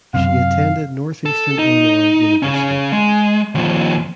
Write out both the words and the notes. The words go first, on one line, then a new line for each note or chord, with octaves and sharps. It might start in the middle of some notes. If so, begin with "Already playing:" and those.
She attended Northeastern Illinois University.
F#2 C3 F5
A4
D#4
C#3 C#4
G#3
D#2 F3